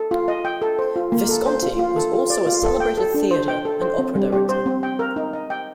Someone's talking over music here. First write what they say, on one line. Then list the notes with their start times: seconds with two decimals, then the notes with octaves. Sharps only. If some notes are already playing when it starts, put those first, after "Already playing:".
Visconti was also a celebrated theatre and opera director.
Already playing: A4
0.11 F4
0.28 D#5
0.45 G5
0.62 A4
0.79 C5
0.96 F4
1.12 A#3
1.29 A4
1.46 C5
1.63 F4
1.79 F4
1.96 A4
2.13 F4
2.30 D5
2.47 F4
2.64 A4
2.80 G5
2.98 A4
3.14 D4
3.31 C5
3.48 G5
3.65 A4
3.82 C5
3.98 C4
4.15 G3
4.32 G4
4.49 C5
4.66 C4
4.83 G5
4.99 A#4
5.16 D#4
5.33 D#5
5.50 G5